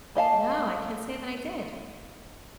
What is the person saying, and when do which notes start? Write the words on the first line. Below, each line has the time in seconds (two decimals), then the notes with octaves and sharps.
No, I can't say that I did.
0.15 A#3 D#5 F5 A5